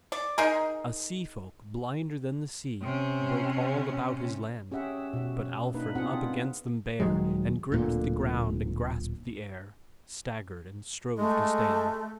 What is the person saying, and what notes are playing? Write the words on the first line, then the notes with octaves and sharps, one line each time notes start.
A sea-folk blinder than the sea Broke all about his land, But Alfred up against them bare And gripped the ground and grasped the air, Staggered, and strove to stand.
D5
D#4 G#4 A#4
C3 C#4
C#4 G4 G#4 E5 F#5
B2 F#4
A#3 D4 D#4 B4
B3 C4 D4 F4 G#4 F#5
D#1 D#3 F#3 G#3
D1 D2 A#2 D3
G#3 A3